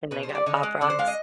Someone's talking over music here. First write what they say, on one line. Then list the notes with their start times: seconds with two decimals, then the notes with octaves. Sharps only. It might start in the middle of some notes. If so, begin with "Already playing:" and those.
And they got Pop Rocks.
0.11 B2 B4
0.23 C5
0.29 G3
0.35 D5
0.46 D3 D#5
0.63 G#3
0.81 D3 D5
0.90 C5
0.99 G#3 F5
1.07 D#5